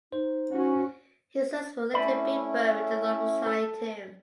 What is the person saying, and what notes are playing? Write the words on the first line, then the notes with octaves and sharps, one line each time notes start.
His sons would later be buried alongside him.
D#4 C5
C#4 F#4
A3 C#4 E4 D5 B5
A4